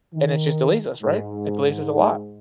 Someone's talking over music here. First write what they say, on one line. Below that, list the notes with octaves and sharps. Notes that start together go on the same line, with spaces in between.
and it just delays us, right? It delays us a lot,
D#3
G#2